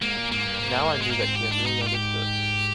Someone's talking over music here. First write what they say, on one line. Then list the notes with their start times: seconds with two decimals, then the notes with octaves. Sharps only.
Now I knew that he had really understood.
0.01 G#2 A#3
0.17 A#2
0.32 G#2 A#3
0.46 G2
0.61 G#2
1.02 G#3
1.11 A#3
1.21 C4
1.35 G4
1.51 D4
1.66 D#4
1.81 G4
1.87 F4
1.95 G4